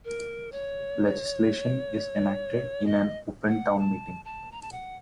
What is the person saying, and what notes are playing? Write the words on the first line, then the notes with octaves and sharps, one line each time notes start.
Legislation is enacted in an Open Town Meeting.
A#4
C#5
D#5
F#5
A5
A5
A#5
A5
F#5